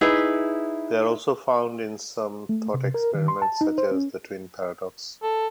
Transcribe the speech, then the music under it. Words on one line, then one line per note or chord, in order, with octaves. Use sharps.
They are also found in some thought experiments such as the twin paradox.
D#4 E4 G#4 B4
A3
C3
A#4
D#3
C6
A5
D#4
C5
C#4
A4